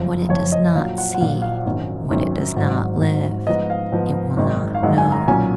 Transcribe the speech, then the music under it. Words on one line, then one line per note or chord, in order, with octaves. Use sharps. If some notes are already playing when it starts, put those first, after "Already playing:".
What it does not see, what it does not live, it will not know.
Already playing: F#1 F2 F3
F#1 F2 F3 C#5
D#5
A#1 A#2 F#3 F5
F#5
F#5
A#1 A#2 F#3 F5
F5
G#1 F#2 D#3 F#3 C#4
G#1 F#2 D#3 F#3 C#4
G#1 G#2 F#3
G#1 G#2 F#3
G#2 F3 B3 D#5
F5
G#2 F3 B3
G#1 F#2 D#3 G#3
F5
G#1 F#2 D#3 G#3 F#5
G#5
A#5
B1 A#2 F#3 C#4 G#5